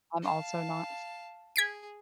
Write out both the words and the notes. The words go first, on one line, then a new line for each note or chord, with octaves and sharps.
I'm also not,
F5 A5
G#4 G#6 B6 D7